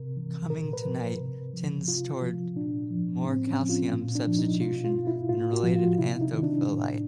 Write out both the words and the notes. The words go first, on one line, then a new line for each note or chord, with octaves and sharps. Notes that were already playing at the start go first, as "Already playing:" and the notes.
Cummingtonite tends toward more calcium substitution than related anthophyllite.
Already playing: C3 A#4
E3
A#2 A#4
B4
F3
C3
F3
C3 F4
F3
A#2 D4
F3
A2 C4
C#4
F3
F4
A#2
D4
F3
D#4
B2 F4
F4
E4
A2 F4
F#4
F3
F4
C3 E4
D#4
D#3
D4
A2